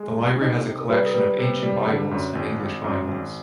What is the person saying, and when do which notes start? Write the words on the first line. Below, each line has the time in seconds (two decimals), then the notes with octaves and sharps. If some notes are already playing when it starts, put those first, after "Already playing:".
The library has a collection of ancient Bibles and English Bibles.
Already playing: G#3
0.17 C2
0.41 C3 D#4 D#5
0.66 C3
0.80 A#4
0.90 G3 B4
1.06 A#4
1.14 G3 B4
1.38 C3
1.63 G3
1.87 D3
2.11 F#2
2.35 G#1
2.60 G#1
2.84 F#2
3.08 G#1